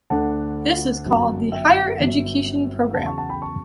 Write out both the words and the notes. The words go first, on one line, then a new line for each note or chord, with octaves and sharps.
This is called the "Higher Education Program".
D2 D3 A3 D4 F#5 A5
G1 F#2 D3 F#3
E5 G5
G1 G2 F#3
E2 C#3 F#3 F#5 A5
A5 C#6
F#5 A5
G5 B5
A5 C#6